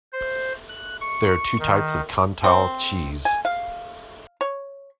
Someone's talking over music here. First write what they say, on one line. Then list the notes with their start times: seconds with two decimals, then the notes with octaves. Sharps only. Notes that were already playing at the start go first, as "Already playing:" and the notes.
There are two types of Cantal cheese.
0.13 C5
0.69 F#6
1.01 C#6
1.59 D#3
2.44 C4
3.25 G#5
3.45 F5
4.41 C#5